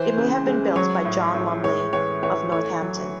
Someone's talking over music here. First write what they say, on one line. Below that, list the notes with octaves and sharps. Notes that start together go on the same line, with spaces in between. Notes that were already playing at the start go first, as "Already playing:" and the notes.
It may have been built by John Lumley of Northampton.
Already playing: E3 C5
C#3
G#3
F#3 C#5
A2
A2
G#3 C#5
E3 C#5
E3 C#5
A3 C#5
F#3